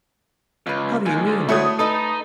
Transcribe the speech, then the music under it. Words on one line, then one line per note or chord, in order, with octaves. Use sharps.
"How do you mean?"
C#2 F4 B4
D#2 G#3
D2
A3 E4 F#4 C#5 D#6
D#4 A4 B4 D#5